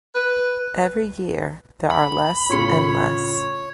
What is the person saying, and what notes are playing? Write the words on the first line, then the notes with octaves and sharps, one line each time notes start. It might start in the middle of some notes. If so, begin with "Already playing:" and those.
Every year there are less and less.
B4
B5
A2 C#3 F4 C#5 C6 C#7